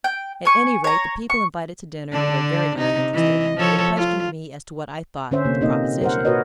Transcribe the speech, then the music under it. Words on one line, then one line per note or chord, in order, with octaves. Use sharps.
At any rate the people invited to dinner were very much interested, and they questioned me as to what I thought of the proposition.
G5
G#5 C#6
C#5 A#5
C#6
D3 D4
C3 D#4
E3 D#5
F3 A4 C#5
F4
D3 C#4 C5 E5
C3 A#3
A#2 A#3 C4 D#4 D#5
A#4 C5 F#5
A#2 F#4 A#4 B4 C#5 D#5